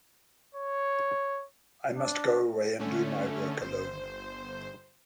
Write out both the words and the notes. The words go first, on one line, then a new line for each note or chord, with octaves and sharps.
I must go away and do my work alone.
C#5
D4
D3 A3 C#4
G1 C5